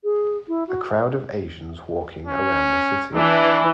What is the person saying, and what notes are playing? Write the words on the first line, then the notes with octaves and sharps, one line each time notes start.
A crowd of asians walking around the city.
G#4
E4
F#4
C#4
E3 D4